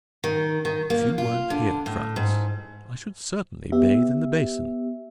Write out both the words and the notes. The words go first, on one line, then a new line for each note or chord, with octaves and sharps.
"If you weren't here, Frantz, I should certainly bathe in the basin."
D#3
D#3
A#3
F4
D3
A2
G#2
B3 G4 E5